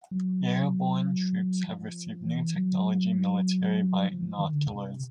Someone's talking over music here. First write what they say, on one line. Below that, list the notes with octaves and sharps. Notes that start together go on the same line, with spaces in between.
Airborne Troops have received new technology military binoculars.
F#3
F3
E3
F#3
F3
F3
D#3
D3
C3